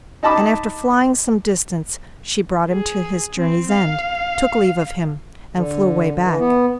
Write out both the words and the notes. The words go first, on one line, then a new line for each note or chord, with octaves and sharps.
And after flying some distance she brought him to his journey's end, took leave of him, and flew away back.
D#4 D#5 A5 B5 D6
G#4
C4
F5
D3
E3
B3